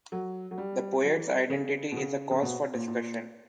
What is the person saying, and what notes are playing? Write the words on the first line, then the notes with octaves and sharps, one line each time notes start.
The poet’s identity is a cause for discussion.
F#3
F#3
G3
F#3
E3
G3
C#3
B2
C#3
C#3
B2
A#2
A#2